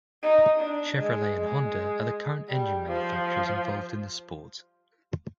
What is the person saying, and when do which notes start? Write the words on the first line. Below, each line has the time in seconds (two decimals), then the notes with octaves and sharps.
Chevrolet and Honda are the current engine manufacturers involved in the sport.
0.23 D#4
0.60 D4
0.98 G#3
1.36 G#3
2.49 G3
2.87 F3